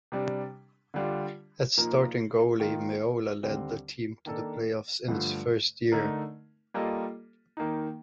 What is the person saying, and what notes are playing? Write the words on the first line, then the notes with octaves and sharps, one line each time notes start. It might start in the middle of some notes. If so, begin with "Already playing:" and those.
As starting goalie, Meola led the team to the playoffs in its first year.
C3 G3 D4
D3 G3 D4 F4
A#2 F3 A#3 D#4 A#4
D#3 A#3 F4 A#4
D#2 D3 G3 C4
D#3 A#3 D4 A4
G2 D3 F3 A3
D3 A3 D#4 A#4
G3 A#3 F4 A4 D#5
D#3 A#3 D#4